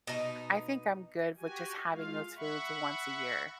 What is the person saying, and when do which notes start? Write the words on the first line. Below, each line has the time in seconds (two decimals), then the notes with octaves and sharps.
I think I'm good with just having those foods once a year.
0.07 B2 D#4
1.37 F#4 G4 G#5
1.90 G#3 F4 F5
2.36 E5 F#5 B5 C#6